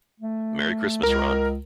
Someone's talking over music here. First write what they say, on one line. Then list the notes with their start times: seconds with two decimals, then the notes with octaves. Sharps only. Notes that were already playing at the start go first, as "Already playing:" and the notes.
Merry Christmas Ron!
0.20 A3
1.03 C#2 A#4